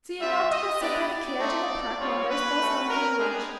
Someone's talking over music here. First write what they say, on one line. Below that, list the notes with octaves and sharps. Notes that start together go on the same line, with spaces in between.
So you've got to go sit by the carriage in the park while nurse goes home for her lunch.
G3 C4 F4 E5
D#5
B3 D4 G4 D5
D5
A3 C4 D#4
G3 C4 F4 C#5
B4
A3 C#4 F#4
A#4
G#3 B3 D4 G4 G#4